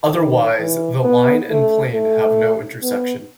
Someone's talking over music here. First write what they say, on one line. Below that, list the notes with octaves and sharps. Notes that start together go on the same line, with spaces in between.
Otherwise, the line and plane have no intersection.
D#3
E3
B3
A3
A3
B3